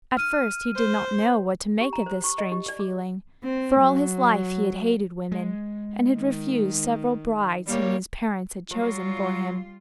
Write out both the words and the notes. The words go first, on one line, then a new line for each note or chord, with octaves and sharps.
At first he did not know what to make of this strange feeling, for all his life he had hated women, and had refused several brides whom his parents had chosen for him.
F6 D#7
C5
G4
A#5
C5
C#6
D#5
G4
D5
D6
C4
F#3
G#3
D#3
G3 A#3 C#5
F#3 G3 F4